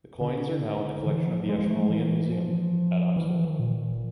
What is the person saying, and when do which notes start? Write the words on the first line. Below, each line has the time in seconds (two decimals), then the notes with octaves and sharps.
The coins are now in the collection of the Ashmolean Museum at Oxford.
0.21 D3
1.06 E3
1.27 F3
1.49 G#3
1.59 G#3
1.70 A3
1.80 G#3
1.90 E3
2.32 F3
3.16 E3
3.28 F3
3.39 E3
3.49 D#3
3.60 A#2